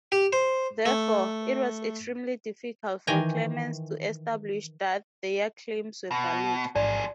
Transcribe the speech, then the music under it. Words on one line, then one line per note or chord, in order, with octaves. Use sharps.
Therefore, it was extremely difficult for claimants to establish that their claims were valid.
G4
C5
A3
D#3 E3 G5 G#5 A#5
B2
A1 G#2 F3 G#4 D5